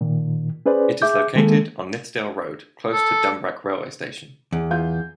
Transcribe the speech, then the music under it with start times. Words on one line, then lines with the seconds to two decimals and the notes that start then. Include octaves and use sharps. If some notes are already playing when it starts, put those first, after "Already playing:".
It is located on Nithsdale Road, close to Dumbreck railway station.
0.01 A#2 D#3
0.66 C#4 G#4 B4 C5 D5
1.02 G#4 E5 D6 G6
1.36 D#3 G#3 A#3 A4
2.93 A4
4.52 E2
4.71 E3 F4 G6